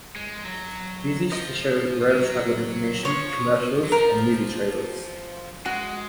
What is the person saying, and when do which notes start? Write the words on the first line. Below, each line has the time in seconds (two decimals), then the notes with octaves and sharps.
These used to show rail travel information, commercials and movie trailers.
0.16 G#3
0.45 F#3
1.31 F3 D#5
2.08 G#3
2.18 F#3
3.05 F3 C#5
3.84 F#3
3.92 F3 A#4
5.66 G#3 F#4